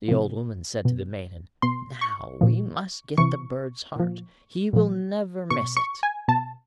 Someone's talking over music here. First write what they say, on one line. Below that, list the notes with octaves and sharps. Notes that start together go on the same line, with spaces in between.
The Old Woman said to the Maiden: 'Now we must get the bird's heart, he will never miss it.'
C3 F3
B2
B2 C6
C#6
A#2 F3
C3 E3 C#6
A#2 F3
A#2 F3
B2 C#6
C#6
G#5
B2 A5